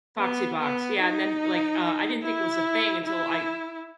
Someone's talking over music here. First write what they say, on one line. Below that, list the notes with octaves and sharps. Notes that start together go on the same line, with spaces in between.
Foxy Box, yeah, and then, like, uh, I didn't think it was a thing until I
B3
B3
D#4
E4
E4